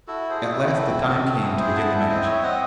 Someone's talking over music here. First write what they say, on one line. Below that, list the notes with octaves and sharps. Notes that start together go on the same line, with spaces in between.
At last the time came to begin the match.
E4 F#4 A4
G#4 C5
E4
F#4 A4
C4 F#4 A4
C4 F#4 A4
E4 G#4
G#4 C5
E4 F#5 A5
E5
C4 C5 D#5
C#5 E5
C4 D#5 F#5